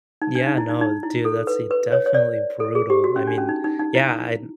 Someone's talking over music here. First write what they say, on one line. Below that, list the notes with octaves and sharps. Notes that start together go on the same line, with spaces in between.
Yeah, no, dude, that's definitely brutal. I mean, yeah, I
D#4
D4
D#4
E4
D#4
D#4
E4
A4
B4
B4
C#5
C#5
D5
A4
G#4
G4
F#4
C#4
D4
C#4
D#4
D#4
D#4
E4